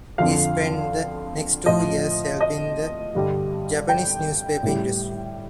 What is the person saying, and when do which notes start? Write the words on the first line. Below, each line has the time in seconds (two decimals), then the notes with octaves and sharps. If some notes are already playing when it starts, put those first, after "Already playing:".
He spent the next two years helping the Japanese newspaper industry.
0.18 F2 D3 F3 F5
1.66 A2 F3 D#5
2.41 D#5
3.15 G2 D3 G3
3.89 G5
4.63 A2 G3